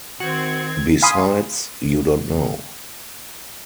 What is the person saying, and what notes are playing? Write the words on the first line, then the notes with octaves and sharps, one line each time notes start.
Besides, you don't know.
D#3 C4 F#4 G#6
F5 G#5 B5 C6 D#6